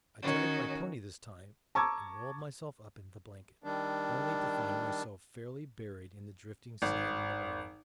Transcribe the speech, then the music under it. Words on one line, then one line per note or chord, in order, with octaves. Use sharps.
I tethered my pony this time, and rolled myself up in the blanket, only to find myself fairly buried in the drifting sand in the morning.
D#3 C#4 F#4
A5 A#5 C#6 D6 E6 G#6
D#3 G3 D4
G#1